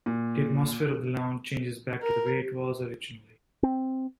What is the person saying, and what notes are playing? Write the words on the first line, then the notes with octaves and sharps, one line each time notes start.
The atmosphere of the lounge changes back to the way it was originally.
A#2
A#4
C4